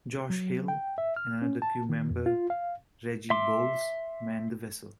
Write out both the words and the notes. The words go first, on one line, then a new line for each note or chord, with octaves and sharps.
Josh Hayl and another crew member, Reggie Boles manned the vessel.
F#3
G5
E5
F6
C#4
A5
D#3
F2
F4
F5
E5 C6 D6